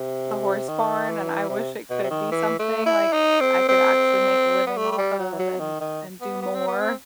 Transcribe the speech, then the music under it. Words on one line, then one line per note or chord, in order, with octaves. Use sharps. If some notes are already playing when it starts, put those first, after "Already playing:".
the horse barn and I wish it could be something, like, I could actually make a living off of and and do more.
Already playing: C3
D#3
E3
C3
B2
C3
D#3
E3
A3
E4
D#4
C4
C4
B3
A3
A3
G3
F#3
E3
F#3
D#3
D#3
B3
B3
C4
B3
C4